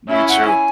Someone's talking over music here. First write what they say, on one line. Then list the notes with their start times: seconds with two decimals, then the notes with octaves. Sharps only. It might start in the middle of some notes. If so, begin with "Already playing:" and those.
You too.
0.10 C#4 E4 E5
0.29 F#5
0.48 G#5